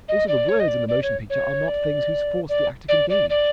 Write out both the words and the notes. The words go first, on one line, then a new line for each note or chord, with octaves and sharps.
Also the words in the motion picture are not things whose force the actor can gauge.
D#5
D5
C#5
D#5
D5
D5
C#5
C#5
D5
D5
D5
D5
D5